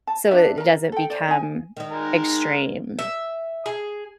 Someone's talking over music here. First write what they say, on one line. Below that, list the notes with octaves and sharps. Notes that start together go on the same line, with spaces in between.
so it it doesn't become extreme.
A5
D4 B4 D5 E5
A#4 A#5
A4 G5
C5 D5
D#4 G#5
D#3 D#4
G#3 A#4
E5
G#4